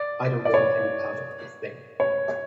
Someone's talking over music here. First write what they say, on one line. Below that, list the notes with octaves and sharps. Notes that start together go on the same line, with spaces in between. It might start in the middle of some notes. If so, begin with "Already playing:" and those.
I don't want any part of this thing.
Already playing: D5
D5
C#5
C#5